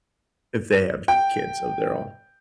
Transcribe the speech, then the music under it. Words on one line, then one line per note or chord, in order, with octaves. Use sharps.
if they have k kids of their own.
G5